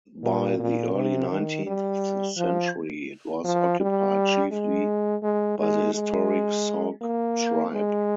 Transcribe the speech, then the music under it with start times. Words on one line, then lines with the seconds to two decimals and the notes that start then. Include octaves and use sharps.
By the early nineteenth century, it was occupied chiefly by the historic Sauk tribe.
0.23 A#2
0.59 A#2
0.95 C3
1.31 D#3
1.67 G3
2.37 F3
3.45 F3
3.80 G3
4.52 G#3
5.23 G#3
5.59 G#3
5.95 G#3
7.02 A#3
7.73 G#3